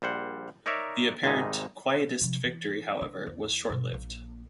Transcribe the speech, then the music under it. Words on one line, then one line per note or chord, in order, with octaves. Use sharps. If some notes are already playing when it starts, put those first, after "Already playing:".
The apparent Quietist victory, however, was short-lived.
A#1 G3 C5 F#5
D#4 A#4 C#5 D5 E5
G#1 G#2 C3 G3 D#4 G#4
C3 F3
E3
D3
E2
G2 B2
A#1 A#3